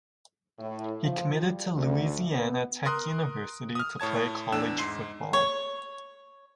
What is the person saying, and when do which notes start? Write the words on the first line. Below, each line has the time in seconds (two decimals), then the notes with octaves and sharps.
He committed to Louisiana Tech University to play college football.
0.59 A2
1.02 F3
1.41 G3
1.74 D2
2.30 B3
2.85 A#4 C6 D#6 F#6
3.75 D#6 F6
4.00 A2 C#5 A5 G#6
4.52 E2 D4 E6 E7
4.78 G#2 C6 C7
5.33 C#5